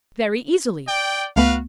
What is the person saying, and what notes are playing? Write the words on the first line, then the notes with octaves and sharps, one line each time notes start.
"Very easily."
D5 G5
C#2 A3 B3 F#4 B4 F5